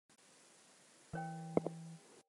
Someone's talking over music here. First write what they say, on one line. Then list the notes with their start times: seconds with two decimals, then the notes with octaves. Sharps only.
Buildings can be destroyed if a monster directly attacks or is thrown into it.
1.13 E3 A#4 C#5 G5